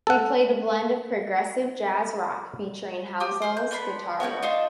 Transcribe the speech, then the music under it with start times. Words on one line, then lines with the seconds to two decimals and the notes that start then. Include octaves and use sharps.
They played a blend of progressive Jazz rock featuring Halsall's guitar work.
0.07 A4 F#5
3.20 G4 D#6
3.42 C5 F6
3.57 G6
3.71 B3 D4 B5 C6
4.20 B3 F#4 C#5 G5
4.42 D4 D#4 F4 C5